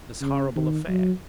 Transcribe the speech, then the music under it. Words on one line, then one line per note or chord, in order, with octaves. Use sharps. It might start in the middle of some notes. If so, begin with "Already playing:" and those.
This horrible affair.
C#3
D#3
F#3